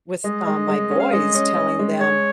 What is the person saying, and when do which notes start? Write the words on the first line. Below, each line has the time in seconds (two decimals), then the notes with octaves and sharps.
with, um, my boys, telling them,
0.24 G#3 D#5
0.47 G#3
0.69 G#3
0.91 C#4
0.99 F5
1.12 G#3 D#5
1.34 C#4
1.56 C#4
1.79 G#3
2.00 G#3 C#5